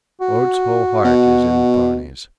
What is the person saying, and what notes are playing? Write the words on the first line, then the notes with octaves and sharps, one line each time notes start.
Oates' whole heart is in the ponies.
F#4
B2